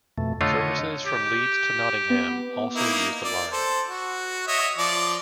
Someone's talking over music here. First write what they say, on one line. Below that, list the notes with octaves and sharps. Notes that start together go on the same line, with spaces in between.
Services from Leeds to Nottingham also use the line.
F2 B2 A3
D3 A3 F4 C#5 D#5
G4
B3
A#3 D#4 E4
D5
A4 C5
F#4
C#5 D#5 E5
F3 D5